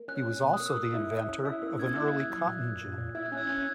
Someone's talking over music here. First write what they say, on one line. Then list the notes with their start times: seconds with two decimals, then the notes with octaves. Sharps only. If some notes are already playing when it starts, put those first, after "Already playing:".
He was also the inventor of an early cotton gin.
Already playing: A#3
0.08 C#4 F#6
0.26 C#4
0.43 B2 F#6
0.53 D#6
0.60 A#3
0.66 E6
0.76 A#3
0.94 E4
1.11 E4
1.28 C#4
1.45 E4 E6
1.62 A#3 E6
1.78 C#4 E6 G#6
1.96 E4 F#6
2.13 E4 E6 G#6
2.30 F#3
2.46 A#2 F#6
2.64 A#2
2.81 A#2
2.98 A#2
3.15 E4 E6 G#6
3.26 F#6
3.32 C#4
3.38 E6 G#6
3.49 C#4 F#6